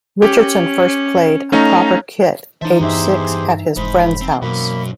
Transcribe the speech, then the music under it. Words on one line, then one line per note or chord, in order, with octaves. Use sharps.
Richardson first played a proper kit aged six at his friends house.
C#4 G4
A3 C#4 D#4 F5 A#5
E3 D#4 C5 E5 A5 A#5
E2 G2 D#4 G4 G#4 C5 E5
F1 G#2 C5 B5
C4
F#2 B2 A#3 B5